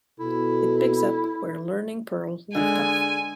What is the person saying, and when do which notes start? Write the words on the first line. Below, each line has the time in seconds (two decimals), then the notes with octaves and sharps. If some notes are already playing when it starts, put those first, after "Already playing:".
It picks up where "Learning Perl" left off.
0.20 B2 E4 A4
2.55 D3 G#3 G#5